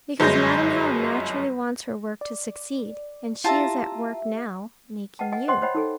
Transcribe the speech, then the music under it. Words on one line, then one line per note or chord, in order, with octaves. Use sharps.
Because Madam How naturally wants her work to succeed, and she is at work now making you.
G1 F#2 G#3 G6 A#6
D5
E4 F4 G4 E5 A5 A#5
B4 D#5 F#5 G5 A5
D#5 F#5 G#5
C5 D#5 F#5 G5 C6
C5 C#5 D#5 F#5 G5 B5
D#4 A4 G#5